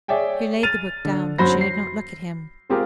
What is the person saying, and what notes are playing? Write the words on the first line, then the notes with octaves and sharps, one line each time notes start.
She laid the book down, but she did not look at him.
G#4 C#5 D5 E5 G5 G#5
F6 A6 D#7 F7
D3
F#2 F#3 F#4 C5 B5 A#6
C7
G#3 C4 F4 G4 G#4 A#4